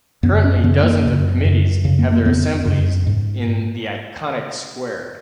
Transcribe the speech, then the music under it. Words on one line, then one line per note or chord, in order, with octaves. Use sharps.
Currently, dozens of committees have their assemblies in the iconic square.
F#2 C#3 B3
C#4
F#2 C#3 B3
A#3
F#2 C#3
F#2 C#3
F#2 C#3
A#3
A#3
F2 C#3 B3
F#2 C#3
G#2